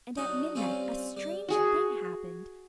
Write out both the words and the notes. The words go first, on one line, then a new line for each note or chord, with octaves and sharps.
And at midnight a strange thing happened.
F#3 D4 D#4
G3 C4 C#4 F4
G3
F#4 G#4